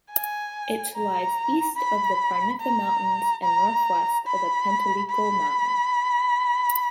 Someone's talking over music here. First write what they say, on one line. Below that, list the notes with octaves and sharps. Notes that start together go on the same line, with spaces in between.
It lies east of the Parnitha mountains and northwest of the Penteliko Mountain.
G#5
A#5
B5
A#5
A#5
B5
B5